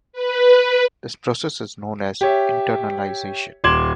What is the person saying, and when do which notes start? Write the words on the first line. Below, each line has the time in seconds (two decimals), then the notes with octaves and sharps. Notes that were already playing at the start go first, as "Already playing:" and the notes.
This process is known as internalization.
0.13 B4
2.21 G4 C#5 E5
3.64 D#1 C6 D6 G#6 E7 F#7